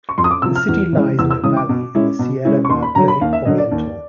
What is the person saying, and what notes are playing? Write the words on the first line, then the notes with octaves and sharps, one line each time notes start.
The city lies in a valley in the Sierra Madre Oriental.
C#6
F2 C6
D#6
D6
C3 F3 E6
F6
E2
C#3 E3 G#3
E2 E6
E6
C#3 E3 G#3 D#6
D6
B2
G#3 C#4 E4
B2
G#3 C#4 E4
C#6
D#2 C6
B5
D3 F#3 A#5
B5
D#2 F5
E5
D3 F#3 D#5
D5
D#2